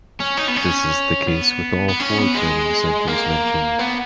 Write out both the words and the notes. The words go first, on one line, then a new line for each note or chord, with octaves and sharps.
This is the case with all four training centers mentioned.
C#4
D#4
B3
C#4
B3
B3
C#4
B3
G#3
A#3
B3